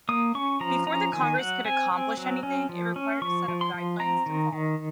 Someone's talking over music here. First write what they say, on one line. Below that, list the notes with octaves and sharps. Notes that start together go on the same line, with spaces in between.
Before the congress could accomplish anything, it required a set of guidelines to follow.
A#3 D#6
C#4 C#6
F3 A#5
C#4 A#5
D#3 G#5
F#3 F#5
C4 G#5
C4
F#3
C#4
F3
C#4
F3 C#6
F3
C6
F3
C4 A#5
D#3
D#3